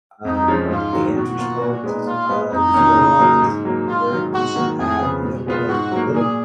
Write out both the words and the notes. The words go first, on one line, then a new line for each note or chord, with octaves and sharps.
um, like, the Andrew Schultzs, uh, the Theo Vanns, they're decent at, you know, kind of little
F2 D#4
F3 G#3 C#4
G#2 F4
D#3 F#3
B2 F#4
A#3 F4
A#2
G#3 B3 D#4
A#2 F4
G#3 B3
F2 D#4
D#3 A#3 C#4
C#3
F#3 A#3
G#2
F#3 A#3
G#2 F4
D#3 F#3
G#2 F#4
D#3 F#3 A#3
F2 G#4
C#3 F3 B3
B2
G#3 B3 F4
G#2 F#4
F#3 A#3
A#2 G#4